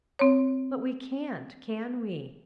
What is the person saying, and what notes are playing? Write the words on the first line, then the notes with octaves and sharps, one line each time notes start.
"But we can't,--can we?"
C4 C#5